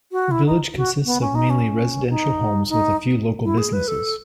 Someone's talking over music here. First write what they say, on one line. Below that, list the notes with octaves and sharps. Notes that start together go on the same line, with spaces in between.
The village consists of mainly residential homes with a few local businesses.
F#4
E4
D#4
F#4
B3
C#4
D#4
C#4
D#4
D#4
E4
G#4
B4
A4